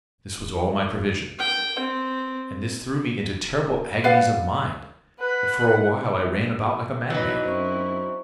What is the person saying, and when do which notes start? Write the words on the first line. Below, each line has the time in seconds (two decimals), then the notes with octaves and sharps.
This was all my provision; and this threw me into terrible agonies of mind, that for a while I ran about like a madman.
1.39 G5
1.79 C4
4.04 B4 D5 F5 F#5
5.20 B4 F#5
7.10 B2 E3 F#3 D#4 B5
7.44 F#2 C4 E4 C5 C#6